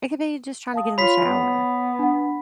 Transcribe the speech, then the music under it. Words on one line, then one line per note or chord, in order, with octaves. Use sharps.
It could be just trying to get in the shower.
F5 A5 D#6
F4 C#5 B5 B6 C7
B3
D4 F#5